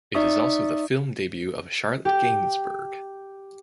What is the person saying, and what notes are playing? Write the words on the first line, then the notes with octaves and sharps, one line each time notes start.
It is also the film debut of Charlotte Gainsbourg.
D#4 D5 E5 C#6 D#6
G4